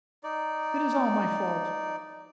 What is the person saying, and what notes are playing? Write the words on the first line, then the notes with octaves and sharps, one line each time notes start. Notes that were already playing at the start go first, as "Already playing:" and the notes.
It is all my fault.
D#4 D5